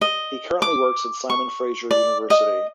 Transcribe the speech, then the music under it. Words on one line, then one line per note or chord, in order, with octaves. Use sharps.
He currently works at Simon Fraser University.
D#5
D6
C#6
D5
D#5